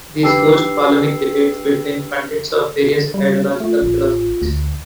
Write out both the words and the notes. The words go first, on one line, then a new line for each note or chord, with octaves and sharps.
These host polemic debates between pundits of various ideological philosophies.
D4 G4 B4 G5 E6 C7
G3
A3 F4
A1
D2